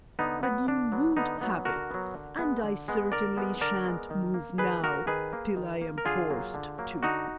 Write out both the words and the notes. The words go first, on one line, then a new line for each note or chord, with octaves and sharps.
But you WOULD have it, and I certainly sha'n't move now till I am forced to.'
D3 B3 D#4
F#3 B3
D3 D4
F#3 B3
D3 B3 D#4
F#3 B3
D3 F#4 A#4
F#3 B3
D3
G#3 B3
D3
G#3 B3
D3 A#4 D5
G#3 B3
D3 A#4 D5
G#3 B3
D#3
A#3
D#3 G#4 B4
A#3 F#4 A#4
D#3 G#4 B4
A#3
D#3
A#3
A#4
D3 F4 G#4
F#3 A#3
D3
F#3 A#3
D3 D#4 F#4